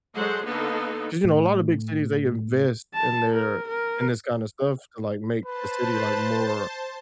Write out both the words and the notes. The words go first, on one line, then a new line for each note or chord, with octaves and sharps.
'cause, you know, a lotta big cities, they invest in their, in this kinda stuff to, like, make the city, like, more
F#3 G#3 A4 C5 F#5
D3 A#3 B3 D#4 A4
A2
A5
A#4
A#4
B4 C5 A5